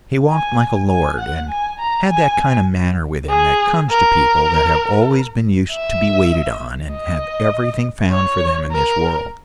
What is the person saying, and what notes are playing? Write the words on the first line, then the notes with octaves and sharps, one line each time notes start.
He walked like a lord, and had that kind of manner with him that comes to people that have always been used to be waited on and have everything found for them in this world.
G#5
G#5
F#5
G#5
A#5
G#5
G#4
A#4
E5
D#5
C#5
A#4